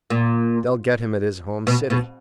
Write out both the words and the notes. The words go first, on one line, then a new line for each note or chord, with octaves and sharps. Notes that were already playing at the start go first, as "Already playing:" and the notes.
"They'll get him at his home city."
A#2
B2
B2